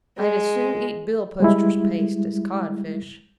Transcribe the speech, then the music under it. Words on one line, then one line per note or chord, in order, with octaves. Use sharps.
"I'd as soon eat billposter's paste as codfish."
G#3
G3 G#3 E4